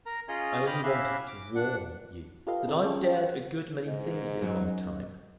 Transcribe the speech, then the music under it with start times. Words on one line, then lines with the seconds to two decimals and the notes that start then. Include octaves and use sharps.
I only wanted to warn you that I've dared a good many things in my time.
0.06 A#4 A#5
0.28 C#4 F4 G#4 C#5 D#5
0.67 D#5 G5 B5 D6 D#6 F6
0.84 C#4 E4 F#4 G4 E5 F5
1.28 D6
1.55 D4 F#5
2.47 F4 G4 A4 B4 D#5 F5
2.67 C4 E4 G#4 A#4 D5
2.85 C#4 F4 G#4 A4 C#5 G5
3.16 F#5
3.87 G#2 D#5
4.42 F#2 F#3